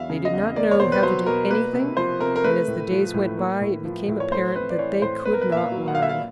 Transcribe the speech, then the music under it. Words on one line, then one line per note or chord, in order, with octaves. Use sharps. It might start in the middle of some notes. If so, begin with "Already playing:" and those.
They did not know how to do anything, and as the days went by it became apparent that they could not learn.
Already playing: E2 F#3 E5 F5
C#3
D#5
E2
A#3 D5
C#5
B2 C5
B4
F#3 C5
B2 A#4
A#3 B4
C3
F3 C5
C3 A#4
A#4
A3 B4
A2
F3
A2
A#3
A2
F3
A2
C#5
A3 C5
C4 B4
D5
E3 C#5
A2 C5
B3 B4
A#4
B4
A#2 E5
F5
F#3
F#5
A#2 F5
E5
F5